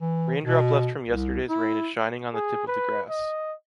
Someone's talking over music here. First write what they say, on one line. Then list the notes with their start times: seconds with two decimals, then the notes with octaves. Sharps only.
Raindrop left from yesterday’s rain is shining on the tip of the grass.
0.01 E3
0.44 B2
1.09 C2
1.49 E4
2.34 G#4
2.67 B4
3.09 D#5